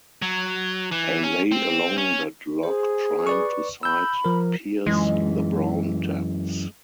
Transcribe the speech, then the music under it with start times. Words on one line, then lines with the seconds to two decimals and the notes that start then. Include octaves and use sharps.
I lay along that log trying to sight-pierce the brown depths.
0.22 F#3
0.92 E3
1.23 C#4
1.52 C4
1.98 C#4
2.63 G#4 C5
3.27 B4 D5 C#6
3.83 B5 E6 G6
4.25 F3 A#4
4.86 F#2 E3 G#3